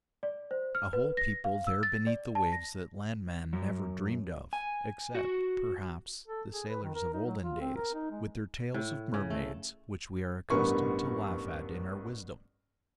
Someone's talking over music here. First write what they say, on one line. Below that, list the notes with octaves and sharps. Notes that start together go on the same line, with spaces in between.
"A whole people there beneath the waves that land-man never dreamed of--except, perhaps, the sailors of olden days, with their tales of mermaids, which we are accustomed to laugh at in our wisdom!"
D5
C5
F6
B4
A#6
F5
E6
A6
D5
A5
A#6
F#2
G#5
F#4
A4
G#4
B4
D#3
A#4
D#4
F#3
F4
C4
A#4
D#4
G#3
A2
C#3
A3
A1 G2 G3 B3 A#4 C#6